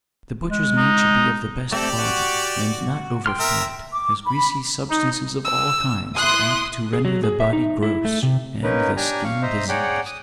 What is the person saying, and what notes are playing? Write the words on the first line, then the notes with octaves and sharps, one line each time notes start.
The butchers' meat should be of the best quality, and not over-fat, as greasy substances of all kinds are apt to render the body gross and the skin diseased.
G#3
D#4
A3 C4 G4 A4 D5
F#4
G5 C6 F6
A#4 E5
D6
B5
D#4
E6
E4 C6 D#6 F#6
G#4
F#3
G#4
E5
D#4
E4
A3
C3
A#3 C#4 D#4 A#4 B4
D4 G4 G#5 A#5
F5 C#6
C5 D#5 E5 A#5
G#4 C#5 D5 F#5 G5 A#5
D#6